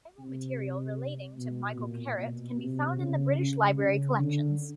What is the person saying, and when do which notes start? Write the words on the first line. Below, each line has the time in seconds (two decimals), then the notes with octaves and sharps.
Archival material relating to Michael Carritt can be found in the British Library collections.
0.19 C3
1.38 B2
1.78 A#2
2.18 B2
2.58 C3
2.98 C#3
3.38 C#3
3.78 C#3
4.18 D3